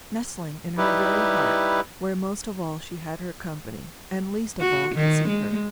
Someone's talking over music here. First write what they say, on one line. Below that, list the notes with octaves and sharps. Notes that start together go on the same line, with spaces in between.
Nestling in her very heart, where most of all she had her company, and least of all could see her.
G3 D#4 E4 G4 B4
F#4
D#3
G#3